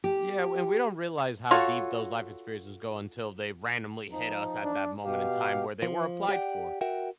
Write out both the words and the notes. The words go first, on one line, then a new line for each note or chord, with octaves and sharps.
Yeah, and w we don't realize how deep those life experiences go until they randomly hit us at that moment in time where they were applied for.
G4
F4 F#4 A4 C#5
F3 D#4
D4
B2 G4 F5
F3
G4 D5 F#5 G5
F#4 A#4 E5 F#5 G5